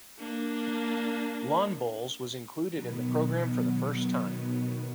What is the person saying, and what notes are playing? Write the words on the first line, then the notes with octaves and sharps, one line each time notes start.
Lawn bowls was included in the program for the first time.
A#3 D4
B2 D#3 F#3 B3